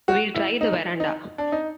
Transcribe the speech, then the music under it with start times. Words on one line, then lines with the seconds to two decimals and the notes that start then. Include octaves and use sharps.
We'll try the verandah.
0.08 F#4
0.34 E4
0.61 D#4
1.00 D#4
1.38 D4
1.52 D#4